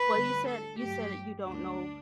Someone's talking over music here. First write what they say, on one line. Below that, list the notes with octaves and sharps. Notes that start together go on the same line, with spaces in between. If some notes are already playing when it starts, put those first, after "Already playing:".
Well, you said you said you don't know
Already playing: B4
D2 D3 G3
A4
G2 F#3 A3 G4
D2 D3 G3 D4